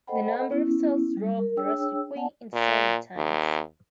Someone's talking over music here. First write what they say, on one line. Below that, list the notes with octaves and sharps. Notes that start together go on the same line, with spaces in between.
The number of cells dropped drastically in the Soviet times.
A4 C5 D#5 F#5 G5 B5
B3 C#4 E4
G3
A#4
D4 G#4 C#5 G5 E6
B3 D5 F#5 G#5 A5
A#2
D#2